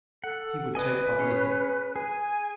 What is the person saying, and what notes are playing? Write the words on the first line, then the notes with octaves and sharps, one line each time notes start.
He would take but little.
A4 F#5
B4 D5 D#5 G#5
C#4 G#4 C#5
G#4 G#5